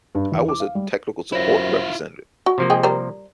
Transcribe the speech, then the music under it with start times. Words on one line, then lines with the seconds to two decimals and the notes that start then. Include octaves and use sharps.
I was a technical support representative,
0.15 G2
0.32 E2
0.49 D6
0.60 F5
0.75 G3
1.32 F#2 E4 F4 C5 C#5 A#6
2.46 F#4
2.58 C3 F3 A#3
2.70 G#3 G#4 G5
2.83 G3 A#4 C5